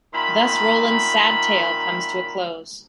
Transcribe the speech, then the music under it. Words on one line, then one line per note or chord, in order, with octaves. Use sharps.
Thus Roland's sad tale comes to a close.
A#2 D#3 E5 B5